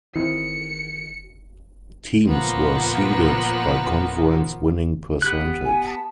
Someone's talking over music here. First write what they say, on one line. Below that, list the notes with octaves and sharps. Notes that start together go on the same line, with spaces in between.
Teams were seeded by conference winning percentage.
D#3 E3 C4 E4 C#7
A#2 F3 A#3 B3
B3 G4 F#6
G#5
A5